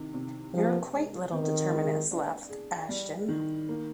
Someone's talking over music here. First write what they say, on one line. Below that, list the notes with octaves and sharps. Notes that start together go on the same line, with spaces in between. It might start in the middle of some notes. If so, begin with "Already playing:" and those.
"You're a quaint little determinist," laughed Ashton.
Already playing: C3 D#3
C3
F3 G4
G#3
D#3 C4
G#3
D4
G#4
G3
D#3
A#3